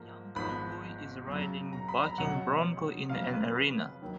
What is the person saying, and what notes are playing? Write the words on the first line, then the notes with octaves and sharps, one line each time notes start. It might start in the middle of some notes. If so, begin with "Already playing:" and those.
A young cowboy is riding bucking bronco in an arena.
Already playing: G#2 F3 A#3
G#1 G#2 F3 B3 B5
F#2 C#3 F#3
A#5
B5
A#5
C#2 B2 F#3 C#4 F#5
F1 F2 C#3 F#3 C#4 F5
B4
B4
D#3 F#3 A#3